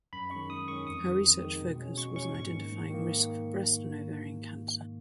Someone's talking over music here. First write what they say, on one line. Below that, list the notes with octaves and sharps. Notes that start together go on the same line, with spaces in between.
Her research focus was on identifying risk for breast and ovarian cancer.
F#2 B5
D#3 G#3 C#4 C#6
F#2 D#6
D#3 G#3 C#4 C#6
F2 D#6
D#3 G#3
F2
D#3 G#3
B2
G#3 C#4
B2 C#6
G#3 C#4 C#6
G#2 C#6
D#3 A#3
G#2
D#3 A#3